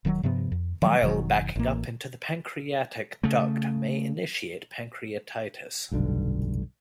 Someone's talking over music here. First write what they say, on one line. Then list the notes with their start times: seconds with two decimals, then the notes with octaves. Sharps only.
Bile backing up into the pancreatic duct may initiate pancreatitis.
0.05 D1 D#3 E3 F#3
0.23 G2 C3 F3 B3
0.52 F2
0.82 D#3 F3 F#3 G#3
1.02 F1 B2 D#3 F#3
1.56 A1 A#3
3.23 C#3 A3
5.91 F1 B1 G2 D3